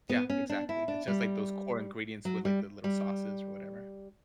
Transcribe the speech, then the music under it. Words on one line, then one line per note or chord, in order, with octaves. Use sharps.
Yeah, exactly, it's just like those core ingredients with, like, the little sauces or whatever.
B3
C#4
D4
E4
D4
G3
F#3
G3
G3